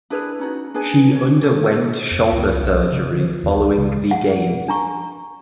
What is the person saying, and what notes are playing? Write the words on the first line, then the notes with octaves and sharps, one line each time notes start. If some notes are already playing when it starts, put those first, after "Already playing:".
She underwent shoulder surgery following the Games.
D4 E4 G#4 B4
C#4 D#4 F#4
D4 G#4 B4 G#5
C#4 C#5
A4
F2
C#2
B1
C#3
D3
E3
E2
C#2
C#3
F#5
D4 A#5 C#6